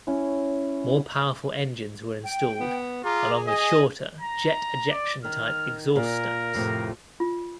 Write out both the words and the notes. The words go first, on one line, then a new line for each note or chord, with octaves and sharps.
More powerful engines were installed along with shorter, jet ejection-type exhaust stacks.
C#4 E4
G5
B3
F4 G#4 A#5 D6
D#5 G#5
A#5
D5
D#3 F6
A#2 A#4
F2 A2 C3
F4